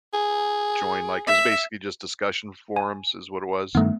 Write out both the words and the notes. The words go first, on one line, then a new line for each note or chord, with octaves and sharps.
join, like, it was basically just discussion forums, is what it was.
G#4
E5
G#5
G2 D#3 A3 B3